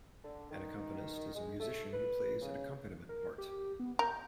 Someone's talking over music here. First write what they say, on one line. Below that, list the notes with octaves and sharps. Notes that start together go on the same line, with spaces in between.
An accompanist is a musician who plays an accompaniment part.
D3
D#3
G#3
A3
B4
C#3
A#4
G4
B3
A#4 G6